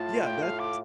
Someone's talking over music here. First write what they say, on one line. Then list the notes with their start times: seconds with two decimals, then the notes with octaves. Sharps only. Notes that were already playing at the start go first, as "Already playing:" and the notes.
Yeah, that's
Already playing: A2 A3 F4 A5
0.24 G5
0.42 F5
0.59 D6